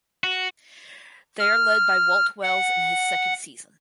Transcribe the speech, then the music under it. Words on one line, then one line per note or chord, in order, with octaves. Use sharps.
They are led by Walt Wells in his second season.
F#4
F6
F#5